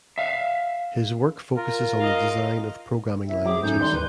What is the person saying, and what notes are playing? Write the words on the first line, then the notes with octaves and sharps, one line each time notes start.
His work focuses on the design of programming languages.
E5 F5
F4 A#4
D#5 F5
C3 E4 E5
F#3 G#4 D6
G#2 A3 C#4 D#4 G6
D#3 G3 D#4 C6
D#2 B4